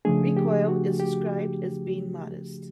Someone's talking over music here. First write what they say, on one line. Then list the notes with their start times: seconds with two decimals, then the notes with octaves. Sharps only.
Recoil is described as being modest.
0.05 C#3 F3 A3 D4 G#4
0.37 G4
0.69 F#4
1.00 G4